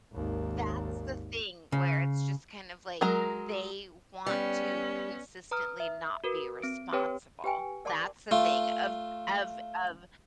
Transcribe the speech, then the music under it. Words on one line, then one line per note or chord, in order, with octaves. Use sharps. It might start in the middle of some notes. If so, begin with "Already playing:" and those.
that's the thing where it's just kind of, like, they want to consistently not be responsible. That's the thing of of of
G#1 D#2
C#3
F#3 G#3 A#4 A#5
G3 B3 C#4
B4 A#5 D#6 F6
E5
F#4 A#4 B4
C4 D7
C4 G4 B4 C#5 G5
G4 B4 G5 G#5
A#4 D5 F#5 A5 C6 D6
A3 F4